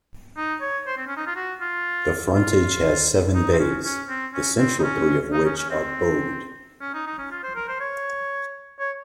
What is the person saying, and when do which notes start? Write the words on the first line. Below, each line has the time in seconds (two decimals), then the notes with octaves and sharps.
The frontage has seven bays, the central three of which are bowed.
0.37 D#4
0.61 C#5
0.87 C5
0.97 C4
1.07 C#4
1.17 D#4
1.27 F4
1.36 F#4
1.61 F4
2.36 F4
3.34 D#4
3.53 C4
3.59 C#4
3.84 C#4
4.09 C4
4.34 C#4
4.59 C4
4.79 D#4
4.83 C#4
5.33 D#4
5.45 C#4
5.58 C#4
5.70 C4
6.81 C#4
6.94 D#4
7.07 D#4
7.18 C#4
7.31 F4
7.43 C5
7.56 A#4
7.68 C5
7.81 C#5
8.80 C#5